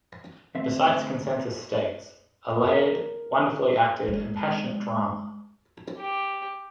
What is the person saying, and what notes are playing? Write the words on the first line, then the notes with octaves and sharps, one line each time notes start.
The site's consensus states: A layered, wonderfully-acted, and passionate drama.
D2 C4 E5
A#4
G#3
G4